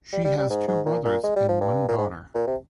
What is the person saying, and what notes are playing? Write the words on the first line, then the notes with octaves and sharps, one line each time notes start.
She has two brothers and one daughter.
G3
G3
G3
G#2
G#2
A#2
A#2
G#3
G3
F3
G2
A#2
G#2
A#2
C3